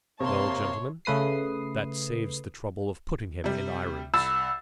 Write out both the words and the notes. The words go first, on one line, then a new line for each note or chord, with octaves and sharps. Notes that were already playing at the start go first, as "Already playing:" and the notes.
"Well, gentlemen, that saves the trouble of putting him in irons."
C3 A#3 C#5 A5 C6
C#3 A3 B4 D#6 C7
C3 G3
C2 B5 E6 A6